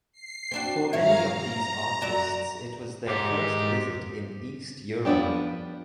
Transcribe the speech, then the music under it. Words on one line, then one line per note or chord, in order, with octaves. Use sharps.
For many of these artists it was their first visit in East Europe.
C7
C4 D4 F#4
G2 C#5 E5 F5 A#5 F6
A#5
F#2 F#4 D5
G#2 G4
F3 G3 B3 D4 G4